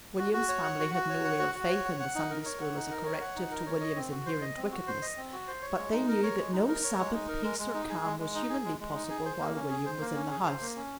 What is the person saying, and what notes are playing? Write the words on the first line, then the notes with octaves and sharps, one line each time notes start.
William's family had no real faith in the Sunday-school as a corrective to William's inherent wickedness, but they knew that no Sabbath peace or calm was humanly possible while William was in the house.
F#4
F#4
C#5
F#5
F#4
F#4
C#5
F#5
F#4
F#4
C#5
F#5
F#5
D#4
A#4
C#5
F#5
D#4
A#4
C#5
F#5
D#4
A#4
C#5
D#5
C4
F#4
C5
D#5
C4
F#4
C5
D#5
C4
F#4
C5
C#5
G#3
D#4
A#4
C#5
G#3
D#4
A#4
C#5
G#3
D#4
A#4
G#3
G#3
D#4
G#4
G#3
G#3
D#4
G#4
G#3
G#3
D#4
G#4
C5
A#3
C#4
G#4
C5
A#3
C#4
G#4
C5
A#3
C#4